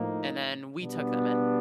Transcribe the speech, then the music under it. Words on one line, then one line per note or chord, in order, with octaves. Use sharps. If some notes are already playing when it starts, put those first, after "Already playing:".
and then we took them in,
Already playing: A2 F3 A#3 D#4
B2 G3 B3 D4